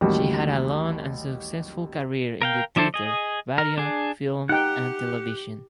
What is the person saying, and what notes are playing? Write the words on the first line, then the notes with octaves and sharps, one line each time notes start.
She had a long and successful career in the theatre, radio, film and television.
A1 D#2 G3 F#4
A#4 F5 G5
F3 D4 E4 A4 C5
G#4 D#5
A#4
D4 G#4
D#4 G4 F#5 G5